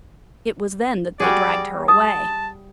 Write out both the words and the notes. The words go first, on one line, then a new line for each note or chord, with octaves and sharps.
It was then that they dragged her away.
G3 F#4 G#4 D5
A5 D#6